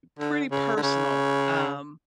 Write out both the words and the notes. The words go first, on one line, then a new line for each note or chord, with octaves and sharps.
pretty personal, um
D3
C#3
D3
C#3